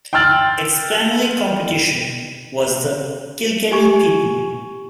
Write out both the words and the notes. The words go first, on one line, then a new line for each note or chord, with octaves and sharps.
Its primary competition was the "Kilkenny People".
G5 C6 E6 F6 A6 F#7
G4 G#5 C#6